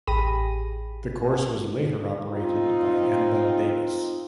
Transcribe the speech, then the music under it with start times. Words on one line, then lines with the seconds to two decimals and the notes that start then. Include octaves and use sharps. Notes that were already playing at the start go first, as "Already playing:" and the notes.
The course was later operated by Annabelle Davis.
0.07 A1 G4 G#4 B5 A#6 D#7
2.32 C4 D#4 F4